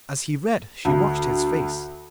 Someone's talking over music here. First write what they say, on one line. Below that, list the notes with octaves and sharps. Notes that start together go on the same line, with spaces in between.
As he read she watched his face.
D2